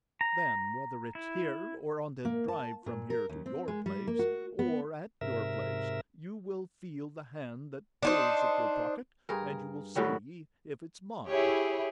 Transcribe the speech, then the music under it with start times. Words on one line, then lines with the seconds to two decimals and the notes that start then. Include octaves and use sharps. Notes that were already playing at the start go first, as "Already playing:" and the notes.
Then, whether it's here, or on the drive from here to your place, or at your place, you will feel the hand that pulls at your pocket and you will see if it's mine!
0.21 A#5
1.15 E4
2.25 A#3
2.48 A5
2.86 A#2
3.10 A#4
3.29 D#2
3.46 C4
3.68 G#3
3.86 G3
4.07 A#3
4.19 F#4
4.59 B3
5.21 G#2 C3 A#4 E5
8.03 D4 D#4 C5
9.29 G2 G#4 A#4
9.95 A2 D#3 F#3 G3
11.28 E4 G4 G#4 C#5